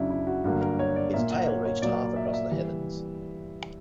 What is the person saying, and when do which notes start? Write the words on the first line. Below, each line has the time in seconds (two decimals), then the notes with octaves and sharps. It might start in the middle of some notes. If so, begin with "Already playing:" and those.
Its tail reached half across the heavens.
Already playing: F#2 C#3 F#3 D4 E4
0.10 E4
0.27 F#4
0.44 G2 D3 F#3 A#3 F#4
0.61 A#4
0.79 C#5
0.96 D5
1.14 A#2 A#3 E5
1.31 F#5
1.48 C#5
1.65 C#5
1.82 A#2 F#3 A#3 D5
2.16 E5
2.25 D5
2.34 E5
2.51 E3 G3